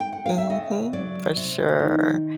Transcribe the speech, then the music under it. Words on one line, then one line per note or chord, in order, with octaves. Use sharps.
Mhm. For sure.
G5
F#5
F5
E5
C#3 D#5
F#3 D5
C3
D#3